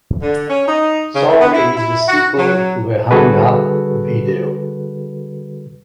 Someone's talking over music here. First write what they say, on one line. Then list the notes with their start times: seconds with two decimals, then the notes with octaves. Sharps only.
Sorry is the sequel to the Hung-Up video.
0.22 D3
0.50 C#4
0.68 D#4
1.16 C#3
1.29 A3
1.41 B3
1.54 E4
1.77 E4
2.09 F#4
2.38 F#3
3.11 D3 G3 F#4 G#4 A4 B4